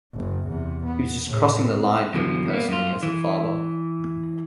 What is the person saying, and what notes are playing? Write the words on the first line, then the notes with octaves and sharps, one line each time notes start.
It was just crossing the line for me personally as a father.
F#1 F#2
E2 C3
B3
A2 C#3
C4
F#2 B2 D3 E3 F3
A#3 B3
F#2 F4
E3